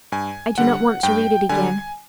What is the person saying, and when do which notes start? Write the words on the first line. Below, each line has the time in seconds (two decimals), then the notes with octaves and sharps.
I do not want to read it again.
0.12 G2 G#5
0.58 D3 G3 F#5
1.03 G2 G5
1.49 D3 G3 G#5